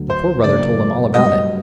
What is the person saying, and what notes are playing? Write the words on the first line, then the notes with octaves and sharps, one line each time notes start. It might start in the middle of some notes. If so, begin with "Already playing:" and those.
The Poor Brother told him all about it.
Already playing: D2 D3 F#3
C5
F#1 F#2 F#3 A#3 D4 D5
G2 F#3 A3 D4 F#4 D#5